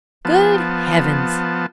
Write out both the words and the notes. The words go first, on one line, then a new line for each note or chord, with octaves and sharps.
"Good Heavens!"
F3 B3 A5